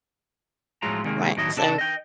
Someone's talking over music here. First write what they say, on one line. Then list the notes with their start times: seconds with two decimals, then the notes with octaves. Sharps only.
Right, so,
0.82 A2 F3 F#3 G#3 F4 A#5
1.05 C3 D#3 G#3 A#3
1.37 A2 D#3 F#3 E4 D#5
1.57 C3 D4 A4 A5
1.78 D#5 G5